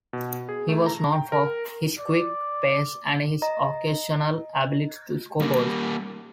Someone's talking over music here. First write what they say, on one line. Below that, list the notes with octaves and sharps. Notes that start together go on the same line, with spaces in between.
He was known for his quick pace and his occasional ability to score goals.
B2
G#4
A3
A#5
G5
A#4
D5
D#5 A#5
G3 A#3